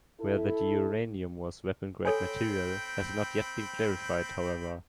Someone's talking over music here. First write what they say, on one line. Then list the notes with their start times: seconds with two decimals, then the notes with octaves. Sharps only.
Whether the uranium was weapons-grade material has not yet been clarified, however.
0.21 E4 A4
2.05 C4 A4 C#5 G5 G#5 B5